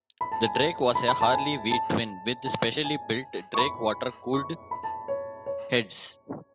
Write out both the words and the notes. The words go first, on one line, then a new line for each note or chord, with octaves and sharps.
The Drake was a Harley V-twin with specially built Drake water cooled heads.
B5
A5
G#5
A5
B5
B5
A5
G#5
A5
A5
G#5
C#6
B5
C#6
B5
A5
C#5
C#5